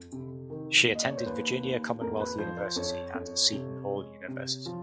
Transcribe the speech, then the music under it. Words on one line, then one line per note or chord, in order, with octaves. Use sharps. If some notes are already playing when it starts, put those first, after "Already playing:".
She attended Virginia Commonwealth University and Seton Hall University.
Already playing: F2
C3
D#3
D#2
D#5
D5
C#5
C5
D#2 B4
D#2
F2 A#4
B4
F3 C5
C5
F2 C#5
F2
C3
G#3
C3
F3